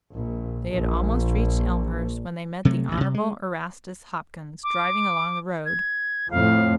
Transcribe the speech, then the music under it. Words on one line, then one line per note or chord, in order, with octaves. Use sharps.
They had almost reached Elmhurst when they met the Honorable Erastus Hopkins driving along the road.
A#1
A#1
C3 F#3 A3
A1 D2
C3
G#3
D6
G#6
F2 A2 F5